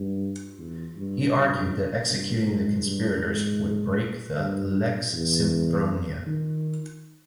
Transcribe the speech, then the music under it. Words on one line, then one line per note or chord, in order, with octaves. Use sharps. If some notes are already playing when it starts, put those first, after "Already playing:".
He argued that executing the conspirators would break the "lex Sempronia".
Already playing: G2
E2
G2
G2
G2
G#2
G2
G#2
G2
E2
D#3